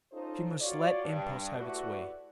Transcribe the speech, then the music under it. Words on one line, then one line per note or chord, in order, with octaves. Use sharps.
She must let impulse have its way.
C#4 D#4 F4 A4 C5
F4 F#4 C#5 D5
G2
A3 E4 F#4 G4 B4 D5